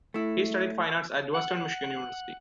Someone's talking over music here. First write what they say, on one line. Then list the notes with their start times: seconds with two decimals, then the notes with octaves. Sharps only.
He studied fine arts at Western Michigan University.
0.14 A3 E4
1.34 F#5
1.55 F#5